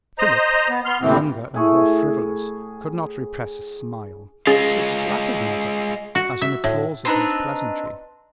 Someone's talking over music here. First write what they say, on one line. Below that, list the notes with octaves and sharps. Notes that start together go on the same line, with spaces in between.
Philip, younger and more frivolous, could not repress a smile, which flattered Mazarin as an applause of his pleasantry.
C5 D#5 A#5
B3
B3 C6 F6
D#2 A2 C3 E3 C4
A2 G#4 C#6
G#3 C#4 F4 G#4 A6
F#4
E5
A2
C4 D4 D#4 B4